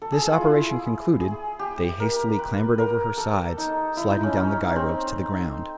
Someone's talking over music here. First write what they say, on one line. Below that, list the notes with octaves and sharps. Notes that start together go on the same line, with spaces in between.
This operation concluded, they hastily clambered over her sides, sliding down the guy ropes to the ground.
A4
G#4
G#4
F4
E4
G#4
G4
A#4
B4
A#4
A4
D#4
E4
D#4
C#4
C#4
C4